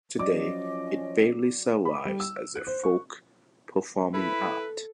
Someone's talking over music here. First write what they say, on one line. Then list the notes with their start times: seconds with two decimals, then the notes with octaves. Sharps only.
Today it barely survives as a folk performing art.
0.18 F3 F#3 C#4 D5 D#5 D6
1.85 B5
2.05 G3
2.20 E6
2.56 F#6
2.67 C5
2.84 C#6
4.14 E4 A4 B4